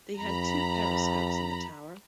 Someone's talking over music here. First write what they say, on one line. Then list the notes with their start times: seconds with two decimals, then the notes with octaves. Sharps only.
They had two periscopes in the tower.
0.19 F2 A#5 B5